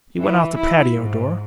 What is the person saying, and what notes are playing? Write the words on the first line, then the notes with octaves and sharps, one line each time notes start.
He went out the patio door.
E3
E4
G#2